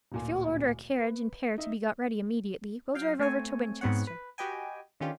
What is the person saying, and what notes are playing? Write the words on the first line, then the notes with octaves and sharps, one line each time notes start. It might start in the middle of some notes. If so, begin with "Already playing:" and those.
If you'll order a carriage and pair to be got ready immediately, we'll drive over to Winchester.
D1 A#2 G#5
B4
D#4 E5
F#3 F5 G5 C7
A3 C4 C#5 G#5
G#2 B3 C4 C#5 F#5
B4
F#4 G4 B4 D#5 G5 G#5
D3 D#3 C#4 F4 G4